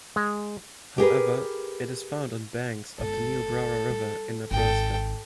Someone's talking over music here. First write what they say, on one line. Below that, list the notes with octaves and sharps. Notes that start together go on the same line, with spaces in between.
However, it is found on banks of the Niobrara River in Nebraska.
G#3
G4 G#4 A#4 B4
G1 G#3 A4
G3
G#1 A4 G5